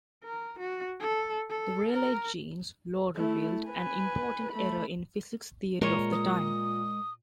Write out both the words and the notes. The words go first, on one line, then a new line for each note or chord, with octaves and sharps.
The Rayleigh-Jeans law revealed an important error in physics theory of the time.
A#4
F#4
A4
A4
A#4
A3 E4
B4 G#5
A3 B5
A#2 G#3 A#4 C#5
D#6